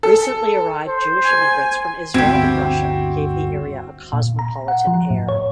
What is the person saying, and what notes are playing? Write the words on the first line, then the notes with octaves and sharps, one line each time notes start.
Recently arrived Jewish immigrants from Israel and Russia gave the area a cosmopolitan air.
A4
C5
G#5
G1 D2 G2 C4 E4 F#4 G4
A#2
A#5
F#5
F3
A2
C#5